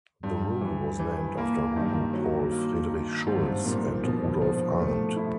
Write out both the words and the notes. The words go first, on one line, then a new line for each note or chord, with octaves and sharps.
The rule was named after Hugo Paul Friedrich Schulz and Rudolf Arndt.
G2 G3
E3
E3
A#3
G2 D#3
F#3
A#3
D#3
G#2 C4
G2
G#2
A#2 F3
B2 F3
F3
A3
E4